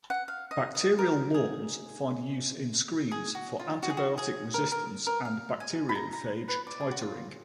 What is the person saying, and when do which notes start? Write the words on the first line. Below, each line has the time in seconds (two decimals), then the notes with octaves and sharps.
Bacterial lawns find use in screens for antibiotic resistance and bacteriophage titering.
0.10 F#5
0.28 F5
0.51 D#5
0.75 D#5
0.99 A#4
1.34 G#4
3.11 G#4
3.35 F#4
3.60 F4
3.83 F#4
3.90 G#4
3.97 F#4
4.18 G#4
4.54 A#4
4.72 A#4
5.07 A#4
5.25 F5
5.60 G#5
5.89 B5
5.95 A#5
6.13 A#5
6.48 B4
6.67 D5
6.81 G#4
6.91 F#4
7.02 F4